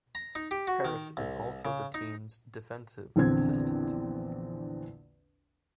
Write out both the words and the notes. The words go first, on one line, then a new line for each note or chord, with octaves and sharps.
Harris is also the team's defensive assistant.
A#5
D#4
G4
F#4
D#3
C2
C#3
D#4
A#1 E2 D3 C4 G#6